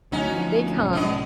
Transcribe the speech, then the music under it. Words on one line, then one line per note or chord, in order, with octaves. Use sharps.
they come,
D2 F#3 C#4 D#4 F#4
D2 F3
B1 G#2 C#3
B2 D4 D#5